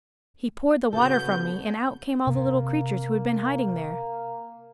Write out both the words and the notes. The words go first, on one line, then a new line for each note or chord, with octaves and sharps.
"He poured the water from me, and out came all the little creatures who had been hiding there!"
C#3 B3 F#4 A4 G6
C3 A#3